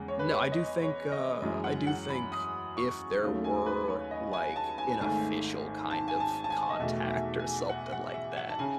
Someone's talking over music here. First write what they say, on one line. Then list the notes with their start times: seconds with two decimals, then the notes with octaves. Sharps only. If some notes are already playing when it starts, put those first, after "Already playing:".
no, I do think, uh I do think if there were, like, an official kind of contact or something like that,
Already playing: E2 C#3 G#3
0.08 C#5
0.19 B4
0.31 C#5
0.52 D#5
0.82 C#5
1.12 D#5
1.42 F#2 E3 G#3
1.64 F#5
1.87 F#5
2.10 B5
2.32 D#6
2.77 C#6
3.22 D#2 C#3 F#3 A3
3.44 G#5
3.66 B4
3.88 C#5
4.11 D#5
4.33 G#5
4.56 A5
4.78 G#5
5.00 G#1 G#2 D#3 A3 G#5
5.91 A5
6.08 G#5
6.20 A5
6.44 A5
6.50 G#5
6.70 D#5
6.79 E2 B2 A3 E5
7.10 E5
7.39 G#5
7.69 F#5
7.92 F#5
8.14 E5
8.37 F#5
8.50 A5
8.59 C#3 G#5